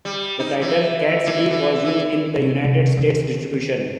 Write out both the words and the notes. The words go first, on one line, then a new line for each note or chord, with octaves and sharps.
The title "Cat City" was used in the United States distribution.
G3
D#4
E3
E3
E3
E3
C3
C3
D3 D#3